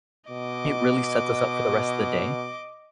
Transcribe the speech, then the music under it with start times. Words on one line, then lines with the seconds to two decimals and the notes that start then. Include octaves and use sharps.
it really sets us up for the rest of the day.
0.30 B2 D#5 D6